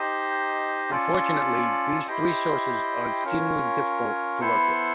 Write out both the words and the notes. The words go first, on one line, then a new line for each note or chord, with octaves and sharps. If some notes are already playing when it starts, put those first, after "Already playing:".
Unfortunately, these three sources are exceedingly difficult to work with.
Already playing: D#4 G4 C5 D#5
C#4 F4 A4 D5
E4 G4 C5 D#5 G5
C#4 F4 A#4 C#5
B3 E4 A4 C5